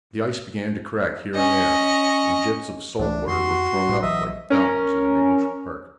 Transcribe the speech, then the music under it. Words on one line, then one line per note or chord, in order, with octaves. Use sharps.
The ice began to crack here and there, and jets of salt water were thrown up, like fountains in an English park.
C#4 D#5
C#2 E3 A3 D4
F2 F#4 C6
G1 A2
A#1 E3 F#3 D#5 E5
C#4 A#4